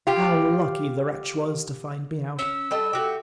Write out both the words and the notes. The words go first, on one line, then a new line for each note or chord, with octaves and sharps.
How lucky the wretch was to find me out!
F4 G4
C#4 E6
G3 A4 D#5
A3 F#4 G4